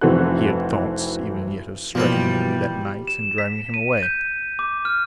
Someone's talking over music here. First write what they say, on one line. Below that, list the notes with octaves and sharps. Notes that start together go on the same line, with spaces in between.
He had thoughts even yet of striking the enemy that night and driving him away.
F1 E3 C4 F#4 A4 F#6
B2 E3 F3 G3 A#3 C5
E7
B6
D#7
G6
D6
F6